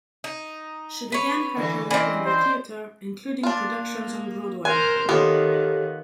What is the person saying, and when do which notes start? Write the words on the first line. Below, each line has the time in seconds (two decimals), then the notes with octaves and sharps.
She began her career in the theater, including productions on Broadway.
0.24 D#4
1.12 B4 C#5
1.57 D3 E3
1.91 E3 C4 C#4 D5 D#5
2.26 C5
3.43 A#3 D4 F4
4.65 A#4 C5 G#5 F#6 G6
5.09 D#3 A#3 B3 F4 G4 A4 C#5